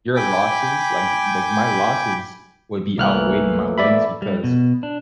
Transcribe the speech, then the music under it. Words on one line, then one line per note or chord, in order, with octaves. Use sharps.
your losses like, y like, my losses would be outweighed my wins because
G5 G#5 B5 D6 G6
C2 E3 A3 A#3 F6 F#6
D5 E5 B5
G3
B2
D4